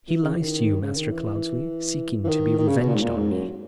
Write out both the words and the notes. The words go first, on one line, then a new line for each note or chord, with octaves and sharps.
"He lies to you, Master Cloudesley, seeking to be revenged on me."
E3
C#3
E3
D#3
C#3
D#3
E3
E3
D#3
D#3
C#3
B2
A#2
G#2
A#2
G#2
F#2